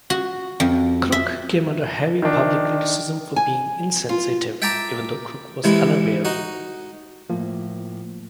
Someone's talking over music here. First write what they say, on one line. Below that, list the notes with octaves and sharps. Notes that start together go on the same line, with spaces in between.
Kruk came under heavy public criticism for being insensitive, even though Kruk was unaware.
F#4
F2
E5
D#3 D4
G#5
F4
E5 G5 A5 A#5 D6
C3 E3 G#3 E4
D#4 F#4 D#5
A2 F3 A#3